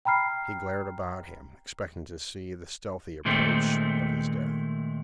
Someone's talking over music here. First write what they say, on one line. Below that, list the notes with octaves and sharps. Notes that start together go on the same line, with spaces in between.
He glared about him, expecting to see the stealthy approach of his death.
G5 A#5 B5 F6 C7
A#2 D#3 G#3 A3 C4